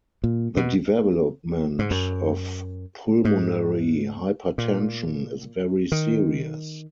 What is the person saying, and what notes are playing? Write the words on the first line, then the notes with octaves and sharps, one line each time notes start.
The development of pulmonary hypertension is very serious.
A#2
B2
G#2
F#2
G#2
A#2
D#3